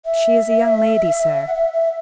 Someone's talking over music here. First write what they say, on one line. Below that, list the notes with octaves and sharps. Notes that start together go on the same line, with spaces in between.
"She is a young lady, sir."
E5
F#5
E5
E5